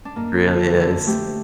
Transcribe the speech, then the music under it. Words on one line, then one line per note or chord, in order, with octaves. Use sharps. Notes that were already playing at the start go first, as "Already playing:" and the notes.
Really is.
D4
A#3 D#4
D3
D3
A3 G4